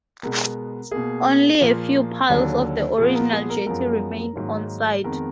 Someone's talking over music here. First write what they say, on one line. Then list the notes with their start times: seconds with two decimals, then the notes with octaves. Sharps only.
Only a few piles of the original jetty remain on site.
0.23 B2 G#3 B3 A#4
0.91 B2 A#3 G#4
1.61 A#2 F3 A#3
2.29 D#2 D3 F#3
2.98 A#2 F3 B3 G#4
3.15 A#4
3.33 G#4
3.50 A#4
3.66 F#2 F3 G#3 B3 A#4
4.35 G#2 D#3 F#3 A#3
5.04 F2 D#3 G#3 B3 A#4